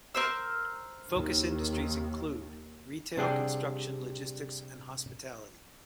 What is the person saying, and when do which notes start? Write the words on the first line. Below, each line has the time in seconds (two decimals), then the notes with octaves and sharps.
Focus industries include retail, construction, logistics and hospitality.
0.14 A#4 C5 E6
1.10 D#2 D#3
3.17 C3 G3 D4 G#4 F#5 G5